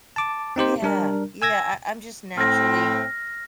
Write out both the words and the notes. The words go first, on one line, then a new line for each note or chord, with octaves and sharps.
Yeah, yeah. I I'm just naturally
A5 D6
C4 D#4 G4 C5
G3 D4 A#4
G#5 E6 G#6 A#6
A2 C4 F6 A#6